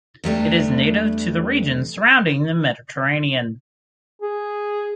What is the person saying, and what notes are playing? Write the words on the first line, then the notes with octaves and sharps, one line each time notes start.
It is native to the regions surrounding the Mediterranean.
E2 G3 A3 D4
G#4